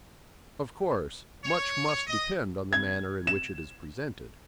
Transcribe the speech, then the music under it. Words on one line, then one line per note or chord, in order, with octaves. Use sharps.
Of course much must depend on the manner in which it is presented.
C#5
D#5
G#6
E7